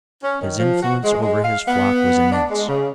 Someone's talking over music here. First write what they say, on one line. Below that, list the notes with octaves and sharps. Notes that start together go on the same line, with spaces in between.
His influence over his flock was immense.
C#4
D#3
F3
F#4
G#3
G#3
F5
B3
D4
G#3
C#3